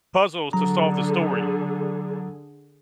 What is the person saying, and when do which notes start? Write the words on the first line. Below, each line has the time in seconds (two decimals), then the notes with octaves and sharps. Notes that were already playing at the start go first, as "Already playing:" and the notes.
puzzles to solve the story.
0.53 D3 F#3 G#4 A#5